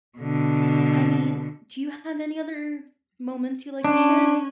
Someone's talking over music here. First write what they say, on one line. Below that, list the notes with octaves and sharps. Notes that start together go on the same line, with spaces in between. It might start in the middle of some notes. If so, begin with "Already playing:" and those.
I mean, do you have any other moments you'd like to share?
B2 D3
C#4 D4